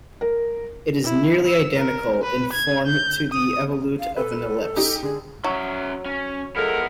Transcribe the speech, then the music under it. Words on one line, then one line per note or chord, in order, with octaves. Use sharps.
It is nearly identical in form to the evolute of an ellipse.
A#4
E4
E6
A#4
B4
G#6
G6
D#6
F5
A4 B4
D#4 G4
D3 G#4
F#3 C#4 E5
C#4
F3 G#3 B3 E4 A4 A#4